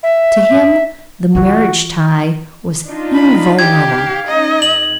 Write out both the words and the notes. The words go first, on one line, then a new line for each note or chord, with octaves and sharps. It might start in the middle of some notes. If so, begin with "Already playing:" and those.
To him the marriage tie was invulnerable.
E5
E3 F4 F#4
D4 D#4 F4
B5
G4 G#6
F5
C#4 D#4 D#5
F2 F#7